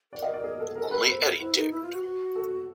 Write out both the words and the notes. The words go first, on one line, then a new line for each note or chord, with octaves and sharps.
Only Eddie dared.
A#4 D5
D#5
D5
G#4
A4
G#4
A4 A#4
B4
C5
E4 C5
D#4 B4
E4
F4
F#4
F#4
A4